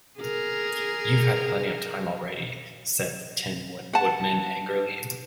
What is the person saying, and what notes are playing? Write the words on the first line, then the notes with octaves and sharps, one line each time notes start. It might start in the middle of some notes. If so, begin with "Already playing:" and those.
"You've had plenty of time already," said the Tin Woodman, angrily.
G#4 A#4
F#5 A5